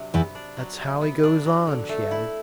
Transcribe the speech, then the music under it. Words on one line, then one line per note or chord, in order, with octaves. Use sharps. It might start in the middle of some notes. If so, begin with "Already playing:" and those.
"That's how he goes on," she added.
Already playing: C3 F#3 D4
E2 E3 B3
D4
F#3
C3
B3
D4
F#3
D3
A3
E4